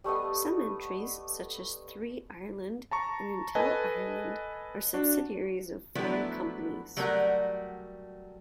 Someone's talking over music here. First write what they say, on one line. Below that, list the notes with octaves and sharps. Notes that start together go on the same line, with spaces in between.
Some entries such as Three Ireland and Intel Ireland are subsidiaries of foreign companies.
G3 A3 B3 D#5
A5 A#5 C#6
A4 B4 D#5 G#5 A5
D4 F#4
F3 F#3 A3 B3 D4 E4
F#3 G3 A3 A#4 C#5 F#5